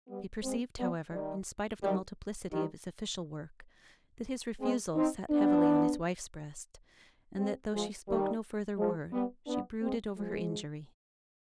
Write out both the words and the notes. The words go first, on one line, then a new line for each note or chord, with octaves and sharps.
He perceived, however, in spite of the multiplicity of his official work, that his refusal sat heavily on his wife's breast, and that, though she spoke no further word, she brooded over her injury.
G3 B3
G#3 C4
G3 B3
D#3 G3
D#3 G3
D#3 G3
G#3 C4
C4 D#4
B3 D4
G#3 C4
F3 G#3
D#3 G3
F3 G#3
G3 B3
B3 D4
G#3 C4
F3 G#3